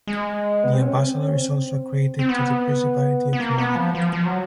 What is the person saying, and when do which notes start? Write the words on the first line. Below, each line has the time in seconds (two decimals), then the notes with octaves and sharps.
The ambassador is also accredited to the Principality of Monaco.
0.07 G#3
0.64 B3
0.73 C4
0.82 C#4
1.00 C4
1.19 C#4
1.36 C4
2.19 C4
2.29 B3
3.33 B3
3.40 A#3
3.58 B3
3.76 F3
3.95 F3
4.13 F3
4.26 F#3